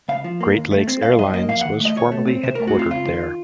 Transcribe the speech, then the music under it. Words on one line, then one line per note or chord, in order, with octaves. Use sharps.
Great Lakes Airlines was formerly headquartered there.
C#2 F5
F3
A#3
D#2
A3
C4
C2 F5
F#3 D#5
A#3 D#5
F2 F5
F#5
D#3
A3 D#5
D#2 C#5
A3
C4
C3 C5
A#4
A3
F#4
C4 F4
C#2 F4
D#3